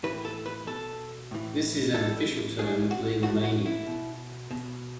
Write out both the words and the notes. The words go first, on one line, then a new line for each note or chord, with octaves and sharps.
This is an official term with legal meaning.
A2 E3 B4
A4
B4
B2 A4
A2 E3
A2 E3 A4
A2 E3 G#4
F#4
A2 E3 F#4
F#4
E4
B2
B2